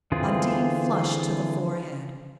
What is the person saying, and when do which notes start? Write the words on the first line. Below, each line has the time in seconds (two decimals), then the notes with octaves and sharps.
Undine flushed to the forehead.
0.12 D3 E3 C4 F4 G#4